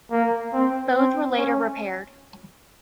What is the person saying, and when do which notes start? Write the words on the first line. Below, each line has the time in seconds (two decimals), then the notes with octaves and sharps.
Both were later repaired.
0.11 A#3
0.53 C4
0.96 C4
1.38 C#4